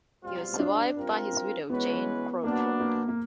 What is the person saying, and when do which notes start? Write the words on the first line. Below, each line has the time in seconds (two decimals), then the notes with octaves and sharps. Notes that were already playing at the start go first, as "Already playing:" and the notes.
He was survived by his widow, Jane Crawford.
0.23 B2 G3 C4 F4
0.59 D4
0.97 G3 C4 F4 A#4
1.70 E3 G#3 B3 C#4 F#4 B4
2.44 F#3 A#3 B3 D4
2.80 A#3
3.08 A#3